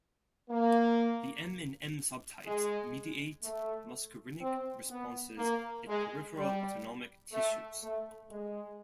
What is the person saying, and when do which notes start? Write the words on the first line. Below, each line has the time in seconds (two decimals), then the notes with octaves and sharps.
The M and M subtypes mediate muscarinic responses at peripheral autonomic tissues.
0.50 A#3
2.46 G#3
3.43 A3
4.40 C4
4.89 B3
5.38 A#3
5.88 G#3
6.36 G3
7.33 A3
7.82 A3
8.30 G#3